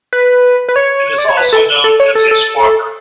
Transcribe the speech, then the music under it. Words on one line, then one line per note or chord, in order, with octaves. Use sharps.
It is also known as a squawker.
B4
B4
C#5
D5
C#5
B4
A4
A4
C#5
A4
A4